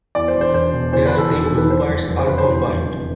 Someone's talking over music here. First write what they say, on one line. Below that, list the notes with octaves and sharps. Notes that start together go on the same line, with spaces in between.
Here the two parts are combined.
E2 D5
C5
E1
C5
E1 C5
B2
E2 C5
B4
E1
A4
E1
A4
B2
B4
E2 C5
F1
F1
C5
D3 B4
C5
E2
F1
F1